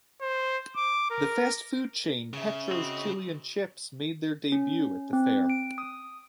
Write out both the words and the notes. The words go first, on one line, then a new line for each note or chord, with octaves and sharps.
The fast food chain, Petro's Chili and Chips made their debut at the fair.
C5
D6
A#4
C#3 G#4 E5
C4 F#4 D#5
C#4
C4
D7
D#6